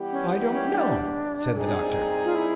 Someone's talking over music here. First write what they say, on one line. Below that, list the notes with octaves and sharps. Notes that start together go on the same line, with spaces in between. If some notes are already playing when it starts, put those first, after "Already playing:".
"I don't know," said the doctor.
Already playing: E3 G3 B3 E4 G4
C#4
C#4
D4
A#2 G3 C4 D#4 G#4
F4
E4